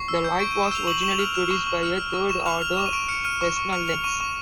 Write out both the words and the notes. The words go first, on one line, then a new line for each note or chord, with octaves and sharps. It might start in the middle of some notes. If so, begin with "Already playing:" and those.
The light was originally produced by a third-order Fresnel lens.
Already playing: C#6 C7
E6
G6
C#6 D7
C#6 D#7
E7
E6 F7
C#6 F#7
C#6 E7
F7
F6
F6 E7
C#6
C#6
F6
F6
C#6
C#6 E7
F6 F7
F6 F7
C#6 E7
D#7
C#6 D7
F6 C#7
F6 D#7
C#6
C#6
F6 F7
F6 F7
C#6 D#7
C#6